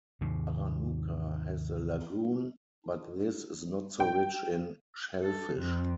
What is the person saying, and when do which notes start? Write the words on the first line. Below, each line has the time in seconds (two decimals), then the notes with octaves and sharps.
Aranuka has a lagoon, but this is not so rich in shellfish.
0.21 D#2 G#2 C3
4.00 G5
5.23 A4
5.58 F2